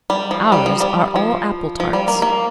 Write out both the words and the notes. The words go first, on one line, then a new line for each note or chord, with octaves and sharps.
Ours are all apple-tarts.
G3
F3
G3
F3
G3
F3
F3
G3
A#3
A#3